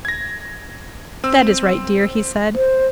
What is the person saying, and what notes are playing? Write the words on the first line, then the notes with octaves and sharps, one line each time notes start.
"That is right, dear," he said.
G#6 A#6
C4 E6
C5